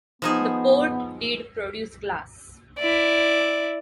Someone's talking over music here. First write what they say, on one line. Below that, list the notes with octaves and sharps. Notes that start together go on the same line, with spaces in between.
The port did produce glass.
F3 B3 D#4 G#4
E4 D5